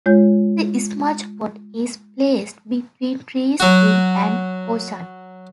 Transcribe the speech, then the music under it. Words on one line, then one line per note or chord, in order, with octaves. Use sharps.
The smudge pot is placed between trees in an orchard.
G#3 F4 C#5 G6
F#3 F#4